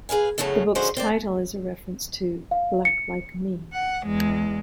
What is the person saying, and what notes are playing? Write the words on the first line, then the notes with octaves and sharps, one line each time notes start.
The book's title is a reference to "Black Like Me".
G#4 B4 F5 G#5
E2 A2 C#3 F#3 A3
D3 F3 G#3 C#4 F#4 C5
C4 C5 D5
F5
C#7
F#5
E2 G#3